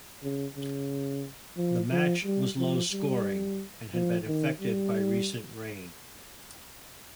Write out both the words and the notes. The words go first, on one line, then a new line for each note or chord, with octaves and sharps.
The match was low scoring and had been affected by recent rain.
C#3
C#3
F3
F3
G3
F3
G3
F3
D#3
G3